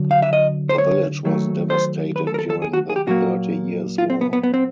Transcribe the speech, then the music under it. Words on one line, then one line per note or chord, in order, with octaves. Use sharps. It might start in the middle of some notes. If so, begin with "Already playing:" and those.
The village was devastated during the Thirty Years' War.
Already playing: D3 F#3
F5
E5
D#5
C5
C#5
D#3 F#3 A3
C5
B4
A4
A#4
A4
A4
G#4
F#4
G#4
G4
A#2 F#3 A#3 F#4
F4
C4
B3
B3
B3
C4